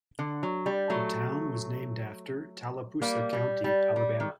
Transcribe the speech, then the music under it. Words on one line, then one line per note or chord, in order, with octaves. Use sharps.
The town was named after Tallapoosa County, Alabama.
D3
F#3
G3
F#3 A3
G3 A#3
G3
G3
G3
D#3